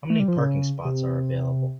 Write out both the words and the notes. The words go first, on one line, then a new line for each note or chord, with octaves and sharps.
How many parking spots are available?
A3
G3
F3
C#3
C3